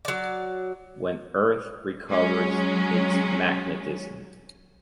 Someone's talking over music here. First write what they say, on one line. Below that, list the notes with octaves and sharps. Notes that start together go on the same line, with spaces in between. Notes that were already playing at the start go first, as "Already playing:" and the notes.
When Earth recovers its magnetism.
F#3 D5
F#3 G#3 C#4